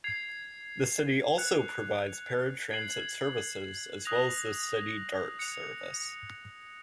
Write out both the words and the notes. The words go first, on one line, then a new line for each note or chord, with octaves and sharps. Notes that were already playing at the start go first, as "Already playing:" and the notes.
The city also provides paratransit services as well as the City Dart Service.
G#6 C7 F7
F#6 C#7 F7
G#6 C7 F#7
D#6 F#6 A#6 F7
F#6 C#7 F7